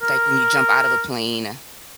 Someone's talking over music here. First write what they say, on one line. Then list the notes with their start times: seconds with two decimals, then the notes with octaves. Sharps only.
like, when you jump out of a plane
0.02 A#4